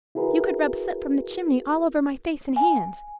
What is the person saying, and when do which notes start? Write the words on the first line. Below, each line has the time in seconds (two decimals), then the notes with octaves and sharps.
You could rub soot from the chimney all over my face and hands.
0.15 E4 F#4 G#4 A#4 B4
2.56 G#5